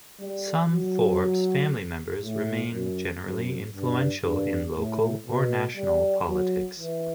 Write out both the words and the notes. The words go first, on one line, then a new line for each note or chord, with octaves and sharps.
Some Forbes family members remain generally influential in local or national politics.
G3
F#3
A2
F#2
F#2
G2
G2
A2
B2
G3
F#3
E3